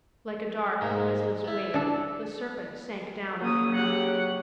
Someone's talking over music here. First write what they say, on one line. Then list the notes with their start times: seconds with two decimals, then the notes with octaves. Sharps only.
Like a dark, noiseless wave the serpent sank down on the ground.
0.81 G#2 A#3
1.44 B3 E4
1.74 D4 A4
3.40 C#3 F#3 A#3 D#6
3.73 G4 F#5